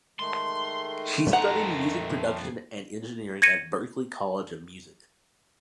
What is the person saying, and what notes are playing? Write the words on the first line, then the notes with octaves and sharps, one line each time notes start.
She studied music production and engineering at Berklee College of Music.
D#3 G#3 A3 C6
F2 F#5 A#5
G#6 A#6 C#7 D#7